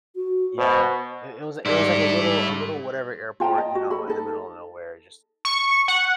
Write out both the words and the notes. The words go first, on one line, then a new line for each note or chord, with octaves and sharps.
Yeah, it it was, like it was, like, a little a little whatever airport, you know? In the middle of nowhere, just
F#4
B2 C5
G#2 G3 E4 A4 D5
F4 G5 A5 A#5
D#5
F#4
A4 B5
D#4 A4
C#6
F#5